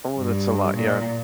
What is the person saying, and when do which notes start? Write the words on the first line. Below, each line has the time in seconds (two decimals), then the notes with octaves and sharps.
Ooh, that's a lot, yeah.
0.17 G2
0.76 A#2